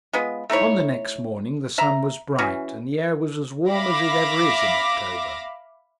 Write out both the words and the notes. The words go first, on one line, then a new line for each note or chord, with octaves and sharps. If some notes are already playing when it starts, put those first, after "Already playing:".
On the next morning the sun was bright, and the air was as warm as it ever is in October.
G#3 B3 F4
A3 D#4 E4 C#5
E5 A#5
E3 C#4 F#4
E5 F5 B5 D6 A#6